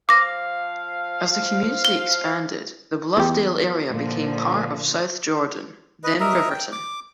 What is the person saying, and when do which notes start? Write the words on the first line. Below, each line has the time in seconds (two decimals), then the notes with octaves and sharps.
As the community expanded, the Bluffdale area became part of South Jordan, then Riverton.
0.09 F3 F5 D6 A#6
1.85 G7
3.17 E2 G4
3.90 A#2 D3 F3
6.04 B4 D#5
6.20 A#4 D#5 E5 A#5
6.49 G5
6.72 D6